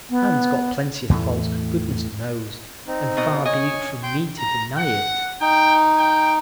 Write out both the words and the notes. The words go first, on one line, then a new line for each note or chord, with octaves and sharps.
Anne's got plenty of faults, goodness knows, and far be it from me to deny it.
B3
E2 A2 E3 A3
C4 D#4
B2 D#5
C#5 D#5 G#5 C#6
G5 C6 G6
A#5
F#5
D#4 G5
G5